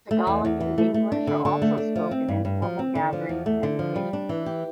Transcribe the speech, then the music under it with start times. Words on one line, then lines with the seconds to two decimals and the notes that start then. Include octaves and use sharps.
Tagalog and English are also spoken in formal gatherings and occasions.
0.11 A3
0.27 E2
0.45 E2
0.60 E3
0.78 A3
0.94 A3
1.12 D4
1.27 D3
1.45 D3
1.62 A3
1.78 D4
1.96 F3
2.11 C4
2.28 G2
2.45 G2
2.62 F3
2.79 C4
2.95 D3
3.13 F3
3.29 E2
3.46 A3
3.63 D3
3.79 F3
3.96 G3
4.13 D4
4.29 E3
4.46 G4